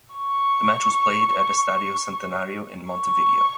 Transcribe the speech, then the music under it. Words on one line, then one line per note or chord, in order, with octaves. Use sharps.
The match was played at Estadio Centenario in Montevideo.
C#6
C#6